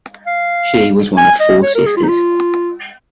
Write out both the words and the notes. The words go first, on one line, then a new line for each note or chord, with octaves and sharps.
She was one of four sisters.
F5
G#5
D#5
C#5
A#4
G#4
F4
D#4
F4